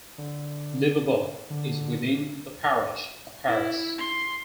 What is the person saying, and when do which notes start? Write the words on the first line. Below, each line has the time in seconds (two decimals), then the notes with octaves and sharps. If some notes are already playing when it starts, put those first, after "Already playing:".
Leverburgh is within the parish of Harris.
0.18 D3
1.50 D3
3.48 E4
3.98 C6